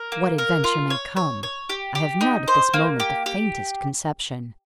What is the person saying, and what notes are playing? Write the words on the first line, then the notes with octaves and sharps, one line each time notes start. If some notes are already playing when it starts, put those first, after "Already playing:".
What adventure may come, I have not at this moment the faintest conception.
Already playing: A#4
A#3
A#4
F4
C#5
C#5
C#5
G4
G4
D#4
C5
A#3
G4
G4